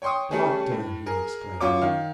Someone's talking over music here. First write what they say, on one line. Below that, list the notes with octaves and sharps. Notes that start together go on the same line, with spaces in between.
"Doctor!" he exclaimed.
C#5 G5 C6 C#6 D#6
G3 A3 C#4 G#4
A2
G#4 A#4
F#2 F4 C#5 D6
D#3 F5